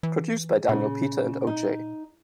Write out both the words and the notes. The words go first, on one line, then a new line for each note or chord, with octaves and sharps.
Produced by Daniel Peter and O-Jay.
E3
A#2 C#3
D#4